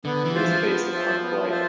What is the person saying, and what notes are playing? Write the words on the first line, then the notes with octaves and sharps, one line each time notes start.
It is based upon Flite.
D3 B3
E3
F4 C5 E5
F3
B3
F4 C5 E5
B3
F4 C5 E5